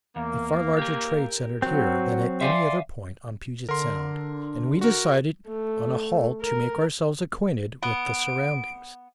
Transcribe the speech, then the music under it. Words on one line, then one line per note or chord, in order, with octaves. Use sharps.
A far larger trade centered here than at any other point on Puget Sound, and we decided on a halt to make ourselves acquainted with the surroundings.
E2 A#3
G4 A#4
F#3 C4 F#4
D5 E5 F5 G#5 C6
D3 A#4 C6
F#4 A#4
A3
A#4
B3 D7